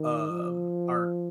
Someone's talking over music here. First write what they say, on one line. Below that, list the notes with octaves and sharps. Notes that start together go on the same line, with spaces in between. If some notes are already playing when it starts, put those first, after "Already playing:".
um, our
Already playing: D#3
F3